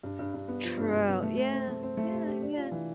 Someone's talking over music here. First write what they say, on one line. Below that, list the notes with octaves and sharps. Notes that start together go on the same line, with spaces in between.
True. Yeah. Yeah, yeah.
G2
G2
G2
B3
F3
G2
G2
B3
A3
A3
C4
A3
C4
A3
G4
G4
D4
F4
E3